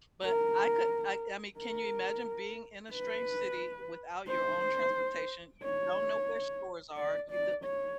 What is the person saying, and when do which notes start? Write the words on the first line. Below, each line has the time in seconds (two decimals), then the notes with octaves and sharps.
but, I could- I I mean, can you imagine being in a strange city without your own transportation, you don't know where stores are, you do
0.24 A#4
1.59 A#4
2.92 B4
4.28 C5
5.62 C#5
6.96 D5
7.30 D5
7.64 C#5